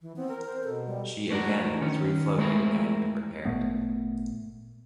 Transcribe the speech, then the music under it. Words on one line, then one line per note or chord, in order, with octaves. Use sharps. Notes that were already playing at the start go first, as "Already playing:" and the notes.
She again was refloated and repaired.
E3
B3 C4
A#4
C5
B2 A4
G3
A3 D4 F#4 A#4
D#3 C#4
G#3 A3 C4 E4 G#4 A#4
G#1 A#2 A3 B3